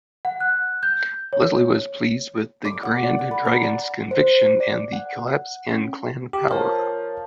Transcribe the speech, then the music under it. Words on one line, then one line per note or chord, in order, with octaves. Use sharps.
Leslie was pleased with the Grand Dragon's conviction and the collapse in Klan power.
F#5
F#6
G6
C#5
D6
F#5
D5
F#5
B4
A#5
D5
C5
D5
F#5
C#4
G4
F3 A#4 C#5